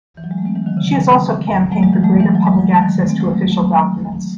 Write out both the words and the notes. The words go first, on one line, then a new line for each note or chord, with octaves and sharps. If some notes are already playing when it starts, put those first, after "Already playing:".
She has also campaigned for greater public access to official documents.
E3
F#3
G#3
A3
G#3 C4
E3 G#3
D#3 F#3
C#3 E3
D#3 F#3
G#3 C4
F#3 A3
E3 G#3
E3 G#3
F#3 A3
E3 G#3
F#3
G#3
F#3
G#3
D#3 F#3
F#3 A3
G#3 C4
F#3 A3
A3
G#3
F#3 A3